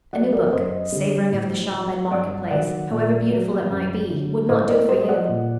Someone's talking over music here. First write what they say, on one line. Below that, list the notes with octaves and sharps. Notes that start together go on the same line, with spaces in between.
A new book, savouring of the shop and market-place, however beautiful it might be, would not do for you.
F#3 D5 F#5
A#4 D5
F#2 C5 D#5
D3 G3
A2
F#3
G2 D5 F#5
D#3 F#3 D5 F#5
A#2
F#3
F#2
D3 F#3
A2 C5 D#5
A#4 D5
G3 C5 D#5
D#5
D5 F#5
A#2